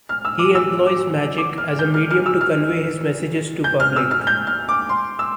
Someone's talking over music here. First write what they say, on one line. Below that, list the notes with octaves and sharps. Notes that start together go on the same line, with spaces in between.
He employs magic as a medium to convey his messages to public.
F6
E6
D6
E6
D6
D6
F6
G6
F6
F6
E6
F6
G6
F6
E6
F6
G6
F6
D6
C6
E6